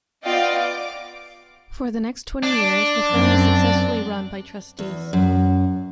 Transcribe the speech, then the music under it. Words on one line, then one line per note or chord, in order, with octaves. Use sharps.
For the next twenty years the firm was successfully run by trustees.
B3 F4 D5 D#5 F5 G5
D6
D4
F#2 C4
E2
F#2